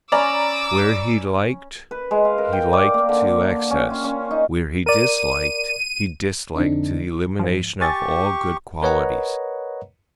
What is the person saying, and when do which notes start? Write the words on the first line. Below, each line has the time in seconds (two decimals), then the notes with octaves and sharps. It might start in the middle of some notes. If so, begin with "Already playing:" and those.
Where he liked, he liked to excess; where he disliked, he disliked to the elimination of all good qualities.
0.12 C#4 D5 A#5 B5 D6 E6
1.91 B4
2.11 G#3
2.25 F5
2.38 A#4
2.53 G5
2.73 D5
2.94 A#3
3.09 D3
3.71 C#4
3.90 F4
4.04 C#4
4.31 D#4
4.86 A#4 D5 D#7
6.55 F2 D3 C4 D4 D#4
7.39 G#2 F3
7.81 G4 G#5 C#6 A6
8.82 A#4 B4 C#5 D#5 F#5 A#5